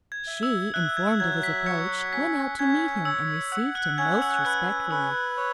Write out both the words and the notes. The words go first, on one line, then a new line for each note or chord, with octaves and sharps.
She, informed of his approach, went out to meet him, and received him most respectfully.
G#6
E5
E6
E5 F#6
G#6
F#3 G#6
B6
F#4 G#6 C#7
C#4 B6
C#4 G#6
C#5 E6
F#5 E6
F#6
C#4 G#6
E6
B4 F#6
B4 E6
C#5